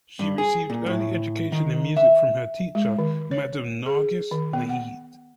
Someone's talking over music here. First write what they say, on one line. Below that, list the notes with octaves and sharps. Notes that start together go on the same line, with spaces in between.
She received early education in music from her teacher, Madam Nargis Naheed.
G2
G#4
A#2
A2
D#3
E5
G#3
D#3
C#5
G#4
D#3
B3
F#5